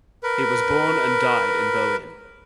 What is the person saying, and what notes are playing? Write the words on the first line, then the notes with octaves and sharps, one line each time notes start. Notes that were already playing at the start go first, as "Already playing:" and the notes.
He was born and died in Berlin.
A#4 B4